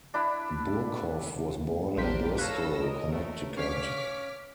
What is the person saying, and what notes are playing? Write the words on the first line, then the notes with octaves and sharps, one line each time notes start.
Burghoff was born in Bristol, Connecticut.
D4 E4 B5
A#1 D4 G4 A#4 C5 B6
A4 B4 C#5 F5 E6 A#6
A#4 D#5
A3
C#4 C#5 F5 D6 F6 B6